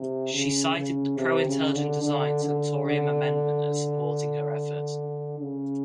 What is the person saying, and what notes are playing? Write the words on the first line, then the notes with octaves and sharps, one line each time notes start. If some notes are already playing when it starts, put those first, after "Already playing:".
She cited the pro-intelligent design Santorum Amendment as supporting her effort.
Already playing: C3
C#3
C#3
C3
C#3
D3
D3
D3
D3
C#3